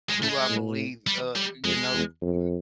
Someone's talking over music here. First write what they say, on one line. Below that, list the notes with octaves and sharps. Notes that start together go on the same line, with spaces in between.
who I believe, uh you know, b
G#3
A2
A3
G#3
A2
G3
G3
F2 G#3
E2
F2